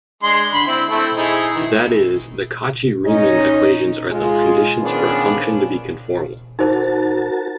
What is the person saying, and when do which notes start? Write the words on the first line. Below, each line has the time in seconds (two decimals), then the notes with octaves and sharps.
That is, the Cauchy-Riemann equations are the conditions for a function to be conformal.
0.23 G#3 D4 C6
0.54 D3 B5
0.67 C4 E4
0.90 A3 C4 E4
1.17 D#4 E4 G#4
1.55 D#3 E3
3.06 C#4 D#4 D#5
4.11 G#3 F4 G#4
4.81 D#3 F3 B3 C#4 D4 G#4
6.59 D#4 F#4 A#4 C5 A5